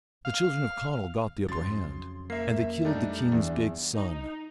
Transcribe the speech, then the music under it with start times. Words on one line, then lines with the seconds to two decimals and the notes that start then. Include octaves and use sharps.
The children of Conall got the upper hand, and they killed the king's big son.
0.25 F5
1.49 F2 C#3 F#3 C6 A6
2.30 A#3 E5 C7
2.85 G3 A3 D4 D#4
3.32 E2 D4
3.94 D#4